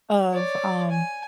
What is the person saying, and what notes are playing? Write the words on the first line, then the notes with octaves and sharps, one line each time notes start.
of, um
C#5 D5
G#5